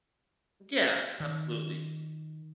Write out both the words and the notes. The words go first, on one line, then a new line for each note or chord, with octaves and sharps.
Yeah, absolutely.
D#3